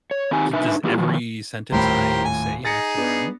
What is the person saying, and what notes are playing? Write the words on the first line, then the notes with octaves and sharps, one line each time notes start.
d does every sentence I say have to rhyme?
C#5
D#3 C4 D#4 G4 G#5
D4 D#4 B4 E5 G#5
E3 A#3 E4 F4 G4
D#3 F3 F#3
D#1 A2 G4 A#4 C5 B5
G#5
D#4 G#4 A6 A#6 C#7
B3 D4